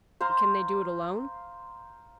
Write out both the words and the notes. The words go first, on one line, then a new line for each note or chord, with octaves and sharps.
"But can they do it alone?"
C5 F5 A#5 C6